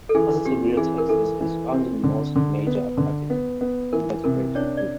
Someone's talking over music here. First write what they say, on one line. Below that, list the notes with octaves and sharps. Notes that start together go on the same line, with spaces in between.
Positive rheotaxis is found in most major aquatic invertebrate groups.
A4
E3 G#4
C4 G4
E3 G#4
A#4
E3 A4
E3
C4
D3
D3
B3
D3
B3
B3
E3 A#4
C3 A#4
C#4 D4 C#5
D5